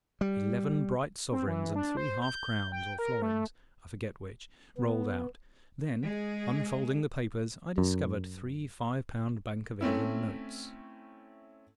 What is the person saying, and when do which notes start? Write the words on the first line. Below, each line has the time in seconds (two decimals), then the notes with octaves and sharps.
Eleven bright sovereigns and three half-crowns or florins, I forget which, rolled out; then, unfolding the papers, I discovered three five-pound Bank of England notes.
0.21 G3
1.31 C4
1.47 E3
1.76 D4
1.97 C5
2.22 G6
2.72 G5
2.99 A#4
3.22 A3
4.77 B3
6.02 G#3 G#4
7.78 F#2
9.81 A3 C4 C#4 E4